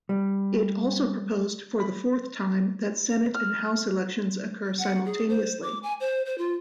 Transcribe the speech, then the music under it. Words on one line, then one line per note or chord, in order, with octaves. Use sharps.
It also proposed for the fourth time that Senate and House elections occur simultaneously.
G3
B5
F6
F#5
G#4
C5
D6
G#5
C5
C5
F4